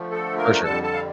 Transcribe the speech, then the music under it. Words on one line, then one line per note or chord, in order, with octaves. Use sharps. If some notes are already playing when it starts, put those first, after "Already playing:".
For sure.
Already playing: D3 F3 A3
A4
A#3 A#4
F2 D3 G3 A4 A5
A4 A5
F5